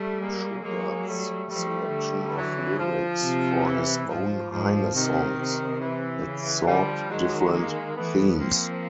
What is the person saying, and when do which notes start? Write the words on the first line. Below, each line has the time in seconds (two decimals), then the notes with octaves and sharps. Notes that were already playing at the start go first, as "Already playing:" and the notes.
Schubert's selection of lyrics for his own Heine songs had sought different themes.
Already playing: G3 A3
0.20 G#3 A#3
0.64 F#3 G#3 A#3
1.07 G3 A3
1.50 F3 G3 A3
1.93 D3
2.36 E3 F#3
2.79 F3
3.22 C3
3.66 E3
4.09 G#2 F3
4.51 G#2 F3
4.94 C3 D#3
5.38 C3
5.81 E3
6.24 C#3
6.67 D3 F3 G3
7.10 D#3 F#3 G#3
7.53 G#3 A#3
7.96 E3 A3 B3
8.39 F3 A#3 C4